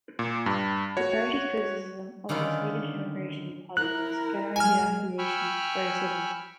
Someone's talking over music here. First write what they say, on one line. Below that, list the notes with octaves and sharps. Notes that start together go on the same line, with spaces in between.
The party's criticism of the Swedish immigration politics generated accusations of racism.
A#2
G2
F#4 C#5
D3 D#3 C#4 F4 B4
E4 A#4 F#6
F#3 G#3 G#5 F6
G5 G#5 B5 C#6 E6 F6